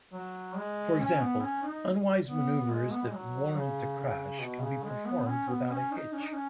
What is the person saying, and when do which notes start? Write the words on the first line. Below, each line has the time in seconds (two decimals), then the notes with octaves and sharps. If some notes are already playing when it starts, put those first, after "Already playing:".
For example, unwise maneuvres that warrant a crash can be performed without a hitch.
0.13 F#3
0.56 G#3
0.99 C#4
1.20 B3
1.42 C#4
1.63 D#4
2.27 B3
2.59 B3
2.70 G#3
2.91 B3
3.02 G#3
3.13 F#3
3.56 C#3
3.99 C#3
4.42 B2
4.62 C#3
4.84 G#3
5.05 B3
5.20 B3
5.28 C#4
5.48 B3
5.70 C#4
5.91 D#4
6.13 C#4
6.22 D#4
6.32 C#4